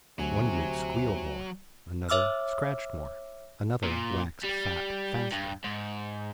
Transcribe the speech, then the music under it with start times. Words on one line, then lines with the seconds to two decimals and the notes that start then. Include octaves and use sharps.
One group squealed more; another scratched more; another waxed fat faster.
0.19 D2 C3 F#3 G#5
2.09 C#5 E5 D6 E6 F6
3.83 A#2
4.43 G3
5.32 G2
5.64 G#2